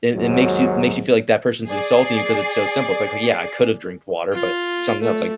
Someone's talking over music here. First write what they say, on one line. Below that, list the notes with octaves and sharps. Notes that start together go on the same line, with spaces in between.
it it makes you makes you feel like that person's insulting you 'cause it's so simple. It's like, "Yeah, I could have drinked water," but something else like,
D#2 G#2 F#3
G#4 D5 C7
F4
A3